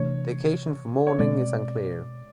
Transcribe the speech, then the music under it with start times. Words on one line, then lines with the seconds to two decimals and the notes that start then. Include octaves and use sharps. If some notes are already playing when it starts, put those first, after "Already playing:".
The occasion for mourning is unclear.
Already playing: C3 E3 A3 D4 C#5
1.07 C#5
1.18 B2 G#3 C4 D5